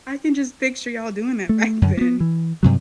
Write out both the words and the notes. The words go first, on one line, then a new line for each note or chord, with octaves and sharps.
I can just picture y'all doing that back then
A3
F#2 D3
A#3 B3
E3
G2 C3 F#3